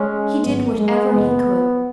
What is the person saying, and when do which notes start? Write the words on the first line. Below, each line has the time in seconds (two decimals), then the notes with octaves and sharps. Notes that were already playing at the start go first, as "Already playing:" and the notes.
He did whatever he could.
Already playing: G#3 C#4
0.43 G#1 G#2 F#3 B3
0.77 G#3
1.12 F#1 F#2 E3 B3